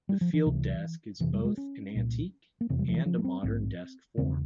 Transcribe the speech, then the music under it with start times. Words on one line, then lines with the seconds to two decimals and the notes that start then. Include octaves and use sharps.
The field desk is both an antique and a modern desk form.
0.09 G3
0.21 F3
0.33 E3
0.46 C#2 C3
1.20 F1 F2 C3 E3
1.33 G3
1.45 G#3
1.57 C#4
1.95 C2 A#2
2.61 A#3
2.69 F1 E2 C3 C4
2.79 G3
2.88 F3
2.97 E3
3.06 F3
3.18 A#3
3.24 C4
3.43 A#1 G#2 C4
4.17 E1 E2 C#3 C4